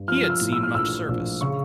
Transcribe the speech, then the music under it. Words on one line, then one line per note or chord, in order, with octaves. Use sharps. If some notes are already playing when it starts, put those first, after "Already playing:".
He had seen much service.
Already playing: G2
F3 F6
F6
E6
A2
E6
F6
A#1 E6
A#1
C#3 C#6